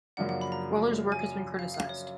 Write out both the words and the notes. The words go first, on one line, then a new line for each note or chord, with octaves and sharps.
Wehler's work has been criticized.
F#2 C#3 F3 A#3 D4 F#5
F#5
B5
A#5
G#5
F5
F5
C#5